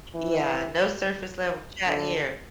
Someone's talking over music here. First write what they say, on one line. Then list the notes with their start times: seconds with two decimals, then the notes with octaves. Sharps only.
Yeah, no surface level chat here.
0.15 E3
1.87 D3